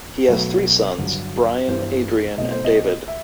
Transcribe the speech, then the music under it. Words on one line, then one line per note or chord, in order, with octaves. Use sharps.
He has three sons Brian, Adrian and David.
B1 B2 F#3 A3 B4
G1 G2 F#3
G2 E3 G3 B3 C5
B1 B2 A3 C4 D#5
C5
D#5
E5